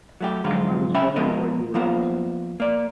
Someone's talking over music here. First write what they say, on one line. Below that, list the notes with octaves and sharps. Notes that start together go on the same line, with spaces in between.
I was wondering what you were up to.
F#3 A3 G4
G#2 D3 F3 F#3 G#3 F4
C#3 C#4 E5 G5 B5
F3 G#3 B3 A#4 D#5
F3 A#3 B3 F4 C5
A#3 D5